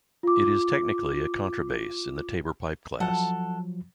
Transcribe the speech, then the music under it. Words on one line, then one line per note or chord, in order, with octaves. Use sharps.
It is technically a contrabass in the tabor pipe class.
F4 D6
F3 F#3 A4 F#5